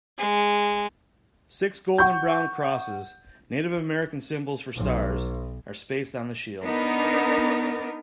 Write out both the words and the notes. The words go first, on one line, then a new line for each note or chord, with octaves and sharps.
Six golden brown crosses, Native American symbols for stars, are spaced on the shield.
G#3
F#5 C#6 G6
B1
B3 D4 D#4 A#4